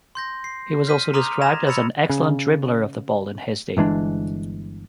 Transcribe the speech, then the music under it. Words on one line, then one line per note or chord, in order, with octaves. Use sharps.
He was also described as an "excellent dribbler" of the ball in his day.
C6 G6 A#6
C7
F6 G6 B6 D#7
A#5 C6 D6 D#6 F6 F7
G#6 A#6 E7 F7
B5 E6 A6 C#7 F7
C#3
G1 E3 G#3 D4